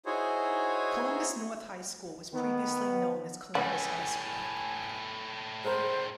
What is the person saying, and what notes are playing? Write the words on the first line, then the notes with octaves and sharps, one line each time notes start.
Columbus North High School was previously known as Columbus High School.
D#4 E4 F#4 G#4 C5 C#5
D#3 B3
C#2 A2 G3 C#4 F#5 G#5 B5
G#3 A#4 C5